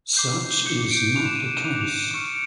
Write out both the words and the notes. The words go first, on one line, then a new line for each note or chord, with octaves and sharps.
Such is not the case.
D6 G6 C7
D6 G6 C#7
D7
D6 F#6 F7
E7
D#7
E7
D6 F#6 F7
F7
D#7
C#6 F6 C#7
D7